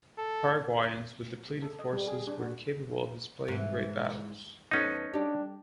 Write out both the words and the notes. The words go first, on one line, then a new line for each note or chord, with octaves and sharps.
Paraguayans, with depleted forces, were incapable of displaying great battles.
A4
A4
D#5
G3
G#4
D4
F#4
G#2 E3
E2 B3 C#4 D#4 A4
G3 D4 G4